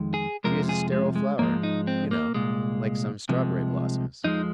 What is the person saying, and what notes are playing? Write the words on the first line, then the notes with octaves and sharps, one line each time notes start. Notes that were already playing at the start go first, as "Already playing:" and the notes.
She is a sterile flower, you know--like some strawberry blossoms.
Already playing: F2 D#3 G#3
G#4
F2 C3 F3 G#3 A#4
G#4
G#3
G#3
G#2 F3 G#3 A#3
D#4
C4
A#3
C2 A#2 G#3
C2 C3 F3 G#3
F2 F3 G#3 D#4